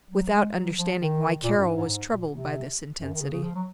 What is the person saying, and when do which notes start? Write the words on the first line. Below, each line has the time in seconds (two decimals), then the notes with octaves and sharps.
Without understanding why Carol was troubled by this intensity.
0.10 F#3
0.32 G#3
0.55 F#3
0.77 F3
0.99 D#3
1.44 A#2
1.56 F#2
1.65 G#2
1.76 G#2
1.87 G#2
2.10 A#2
2.32 C3
2.99 F#2
3.13 D#3
3.21 C#3
3.32 C#3
3.43 F3
3.55 F#3